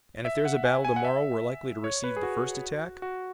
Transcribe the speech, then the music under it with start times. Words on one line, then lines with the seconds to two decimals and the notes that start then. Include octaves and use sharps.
"And if there's a battle to-morrow we're likely to receive the first attack?"
0.25 E5
0.45 F#5
0.65 G#5
0.85 G#5
0.96 F#5
1.05 E5
1.84 C#5
2.04 B4
2.17 G#4
2.23 F#4
3.02 F#4